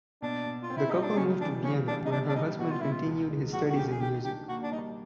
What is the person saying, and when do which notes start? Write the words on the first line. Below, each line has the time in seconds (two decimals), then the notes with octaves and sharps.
The couple moved to Vienna where her husband continued his studies in music.
0.22 B2 D4
0.46 B2
0.63 F4
0.70 C4
0.77 E4
0.90 G3 D#4
1.03 D4
1.17 C#3 C#4
1.41 E3 D4
1.64 C#3 C#4
1.87 G3 D4
2.06 D#4
2.11 B2 D4
2.29 D4
2.35 G3 D#4
2.59 B2 F#4
2.70 F4
2.80 B2 E4
2.92 F4
3.06 C#2
3.30 G#3
3.53 F3 F#4
3.70 F#4
3.77 C#3 G4
3.91 G#4
4.01 D#3 G4
4.24 D4 G4
4.48 A#3 F#4
4.63 D4
4.72 G3 D#4